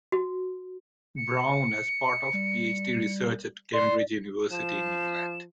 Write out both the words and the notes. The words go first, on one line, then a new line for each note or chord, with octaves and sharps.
Brown as part of PhD research at Cambridge University in England.
F#4
C#7
G3
D5 C6
F3 E7